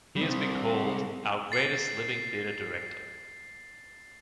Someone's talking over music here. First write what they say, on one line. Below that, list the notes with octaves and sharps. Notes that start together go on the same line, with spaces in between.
He has been called "our greatest living theatre director".
G3 C4
A6 C7